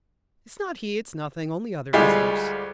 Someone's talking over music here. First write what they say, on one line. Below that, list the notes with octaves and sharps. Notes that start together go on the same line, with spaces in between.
"It's not he, it's nothing, only other visitors."
D2 G3 G#3 F4